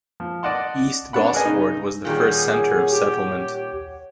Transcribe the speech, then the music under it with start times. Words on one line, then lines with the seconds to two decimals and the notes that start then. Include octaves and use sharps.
East Gosford was the first centre of settlement.
0.20 F3
0.43 D5 D#5 F#5 A5 C6
1.13 C#4 D4 B4 F#5 B5
1.34 G#4 A#4 B4 D5 D#5 G#5
1.46 C#3 D#4
2.05 A#2 D#3 G3 G#4 C#5 F#5
2.91 G4